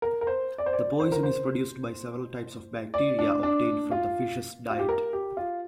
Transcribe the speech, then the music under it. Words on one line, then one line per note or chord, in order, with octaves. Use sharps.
The poison is produced by several types of bacteria obtained from the fish's diet.
A#4
A#4
C5
D5
C5
D5
C5
A#4
C5
D5
D4
D4
F4
F4
G4
A#4
G4
F4